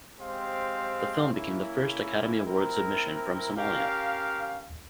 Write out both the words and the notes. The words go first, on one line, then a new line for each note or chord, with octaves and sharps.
The film became the first Academy Award submission from Somalia.
G#3 C4 G4 C5 F5
A#3 C#4 E4
C4 E4 A#4
C#4 G4 A#4 F5